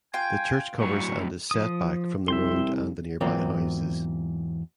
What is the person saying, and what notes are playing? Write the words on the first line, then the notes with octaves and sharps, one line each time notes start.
The church covers and is set back from the road and the nearby houses.
F4 G5 G#5
A2 F#3 C#6
F3 D#6
C2 E5 G5 C6
E2 G#2 F#3 A#3 C4 F4